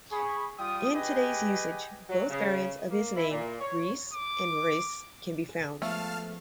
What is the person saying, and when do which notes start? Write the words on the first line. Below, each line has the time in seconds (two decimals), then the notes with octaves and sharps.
In today's usage, both variants of his name, "Ries" and "Riese" can be found.
0.12 G#4 B5 C#6
0.58 G3 F4 G5 D#6
0.94 G4 G#4 B4 D#5 G5 G#5
2.10 F#3
2.30 C#3
2.90 A#3
3.16 E4
3.31 A#2
3.60 C#5
4.13 D6
5.49 G#4
5.82 F3 G#3 A3 B3 F5 A5 F6